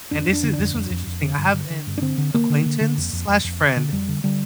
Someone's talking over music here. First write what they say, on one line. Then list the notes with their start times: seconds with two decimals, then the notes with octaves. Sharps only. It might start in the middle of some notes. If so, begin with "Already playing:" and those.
and this is this one's interesting. I have an acquaintance/friend,
0.11 F2 D4
0.28 F2 D4
0.43 D3
0.53 D4
0.59 F2
0.74 F2
0.90 F2
1.07 F2
1.22 D3
1.38 G2
1.54 D3
1.70 D3
1.87 G2
1.98 D4
2.01 D3 C4
2.18 D3
2.34 D3 A#3
2.50 D3
2.66 D3
2.81 D3
2.97 F2
3.13 F2
3.28 F2
3.44 F2
3.61 D3
3.77 D3
3.92 F2 G3
4.08 D3
4.24 D3 G3